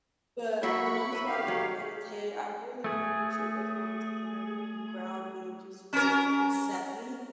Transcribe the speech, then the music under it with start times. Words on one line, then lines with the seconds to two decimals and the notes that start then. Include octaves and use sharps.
but the moments where I do meditate, I really do appreciate those moments, because they really do ground me and just really reset me.
0.63 F#3 A#3 E5 B5 C#6
1.13 B4 E5
1.26 D#3 G4 F5
1.48 F#3
2.84 A3 G#4
5.93 C#4 A#4